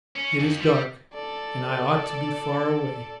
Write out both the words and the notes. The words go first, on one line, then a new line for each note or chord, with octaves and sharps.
It is dark and I ought to be far away.
C#4
F2
G3
A4 D5